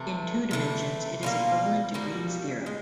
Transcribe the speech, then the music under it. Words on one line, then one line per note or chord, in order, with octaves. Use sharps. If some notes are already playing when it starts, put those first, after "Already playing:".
In two dimensions, it is equivalent to Green's theorem.
Already playing: C3 E3 A3
C3 E3 A3
B2 G3 A#3 F4
B2 G3 A#3 F#4
G#3